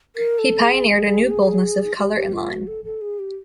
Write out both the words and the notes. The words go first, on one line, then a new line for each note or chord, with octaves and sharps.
He pioneered a new boldness of color and line.
A#4
A4
G#4
G4
G#4
G4
G4
F4
F#4
A4
A4
G#4
G4